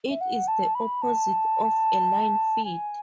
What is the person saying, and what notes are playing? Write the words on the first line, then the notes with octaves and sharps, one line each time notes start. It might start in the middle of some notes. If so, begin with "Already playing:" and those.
It is the opposite of a line feed.
E5
F#5
A5
B5
A5
G#5